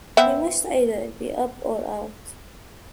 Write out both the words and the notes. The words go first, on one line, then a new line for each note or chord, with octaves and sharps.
He must either be up or out.
B3 C4 E5